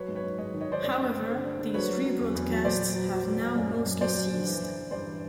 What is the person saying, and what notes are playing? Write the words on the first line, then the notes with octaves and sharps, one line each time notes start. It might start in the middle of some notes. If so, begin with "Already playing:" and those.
However these re-broadcasts have now mostly ceased.
Already playing: F#3 B4 C#5
G#2
B4 C#5
G#2
G#2 C#5 D#5
D#3
C#5 D#5
D#3 C5 D5
G2 C5 D5
G2
D3
D3
D3
D3
F#3 B4 C#5
F#3
F#3
E2
E2
F#3
A#2 C5 D5
F#3
F#3
F#3
A#2
A#2
F#2
F#2
F#2
F#3 C5 D5
F#3
D3
E3
E3
E3
G2 C5 D5
E3